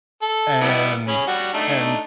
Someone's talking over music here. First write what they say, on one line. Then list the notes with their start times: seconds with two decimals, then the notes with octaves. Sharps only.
and and
0.22 A4
0.61 G3 B3 E4
1.08 C#4 G#4 B5
1.27 G3 F#4
1.54 A3 D4 D#4